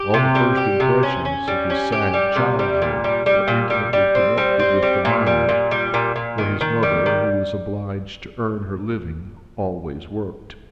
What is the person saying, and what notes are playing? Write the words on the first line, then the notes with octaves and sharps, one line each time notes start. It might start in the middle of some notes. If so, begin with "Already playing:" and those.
All the first impressions of his sad childhood were intimately connected with the mine where his mother, who was obliged to earn her living, always worked.
Already playing: G4
C3
G3
G4
C3
C#4
C#4
G3
C#4
G4
G3
C3
G3
A#2
G3
G3
A#2
G3
G3
C4
G3
C4
G3
A#2
G3
A#2
G3
A#2
A#2
D#3
D#3
G3
D#3